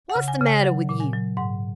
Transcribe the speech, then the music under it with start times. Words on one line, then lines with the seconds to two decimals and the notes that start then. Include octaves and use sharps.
What's the matter with you?
0.10 F#5
0.16 C#3
0.28 G#5
0.41 C#3
0.46 G#5
0.64 F#3 F#5
0.89 A#2
1.00 G#5
1.13 F#3
1.37 G#2 F#5